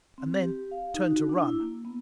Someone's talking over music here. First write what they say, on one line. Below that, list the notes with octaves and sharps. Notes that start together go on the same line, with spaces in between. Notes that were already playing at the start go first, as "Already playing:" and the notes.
And then turned to run.
C4
G4
F5
D#4
F#4
D4
E4
A#3
B3